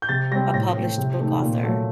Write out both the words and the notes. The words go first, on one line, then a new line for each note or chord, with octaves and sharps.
a published book author.
G6
C3 A6
G3 C4 A#6
A2 A#6
A3 C4
C3
D#3 A3 C4
A#2
F#3 A3